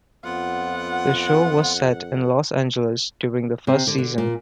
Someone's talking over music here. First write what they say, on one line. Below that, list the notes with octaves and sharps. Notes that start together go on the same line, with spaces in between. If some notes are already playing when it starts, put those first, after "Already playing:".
The show was set in Los Angeles during the first season.
F2 B3 F4 F#5
C3
D3
D3
A#2